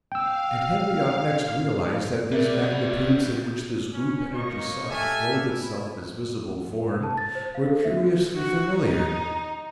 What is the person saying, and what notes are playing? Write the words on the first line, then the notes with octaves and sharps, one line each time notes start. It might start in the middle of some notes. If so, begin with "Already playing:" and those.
And Henriot next realised that these Magnitudes in which this group-energy sought to clothe itself as visible form, were curiously familiar.
F5 G5 E6
F#3 G3 G#4 A#4 B4 D5 E5 D6
C#4
A#3 D#4 C#5 D#5 C#6
G4 A4 E5 F5 G#5
E4
A5
A6
C5
F5
A4
E5
F#4
F#4
D#4